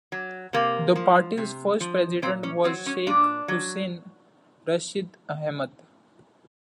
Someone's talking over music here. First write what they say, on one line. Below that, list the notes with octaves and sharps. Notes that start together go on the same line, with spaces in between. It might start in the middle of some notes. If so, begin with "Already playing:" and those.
The party's first president was Sheikh Hussain Rasheed Ahmed.
F#3
C3 A#3
F3
C3
F3
A#2 C4
C#4
F#3 C4
C#4
A#2 D4
F#3